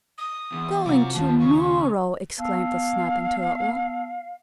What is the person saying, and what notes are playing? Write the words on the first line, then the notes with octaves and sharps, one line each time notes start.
"Going to-morrow!" exclaimed the Snapping Turtle.
D#6
E2
F#2 C3 F4 F#4 A#5 D6
D#2 A2 F3 F4 A5
C#3 C#6
B3 F5 A5 E6